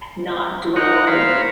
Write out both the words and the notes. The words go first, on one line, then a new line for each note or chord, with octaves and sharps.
not dwell on
D#4 A#4 F#5 C#6
A#4 C5 C#5 F5 B5